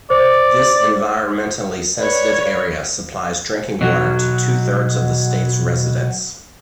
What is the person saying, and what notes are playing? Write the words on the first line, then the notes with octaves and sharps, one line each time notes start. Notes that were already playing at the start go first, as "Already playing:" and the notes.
This environmentally sensitive area supplies drinking water to two-thirds of the state's residents.
C5 D5
B4 C#5 D5
B2 F#3